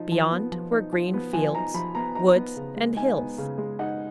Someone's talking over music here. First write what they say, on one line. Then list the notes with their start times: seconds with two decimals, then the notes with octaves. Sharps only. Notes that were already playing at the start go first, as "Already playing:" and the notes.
Beyond were green fields, woods, and hills.
Already playing: F3 D#4
0.12 F3
0.31 B3
0.52 F3
0.72 D#4
0.92 F3
1.14 B3
1.33 F3 G#5
1.54 D#4 A#5
1.74 F3 B5
1.95 B3 A#5
2.15 D#4 A#5
2.35 B3
2.56 C#3
2.77 G#3
2.96 D#4 G#5
3.17 B3
3.38 C#3
3.58 G#3
3.79 D#4 F#5